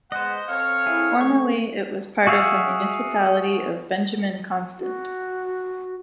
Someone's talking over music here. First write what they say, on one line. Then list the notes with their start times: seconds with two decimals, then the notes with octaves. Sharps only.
Formerly, it was part of the Municipality of Benjamin Constant.
0.12 G#3 B3 C5 D#5 F#5
0.49 C4 A4 C#5 F5
0.87 E4 G#4
1.21 A3 C#6
2.27 F#4 G#4 E5 F5
4.79 F#4